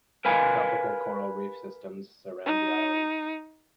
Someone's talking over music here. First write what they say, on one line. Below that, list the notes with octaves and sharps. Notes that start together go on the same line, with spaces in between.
Tropical coral reef systems surround the island.
A#4 B4 F5 G#5
D#4